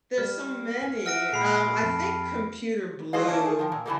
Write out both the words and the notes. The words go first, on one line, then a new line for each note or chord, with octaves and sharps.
there's so many. Um, I think Computer Blue
G3 F6
G#5
E5 F#5 F6 A#6 D7
A#2 G#4 B5 C7 C#7 F7
F2 A4
F#3 G#3 G#4 C5 D#5 F5
A#3 C#4 D4 E4
A3 G#4
D#3 F3
A#2
D3 E3 F3 G3 A3 A#3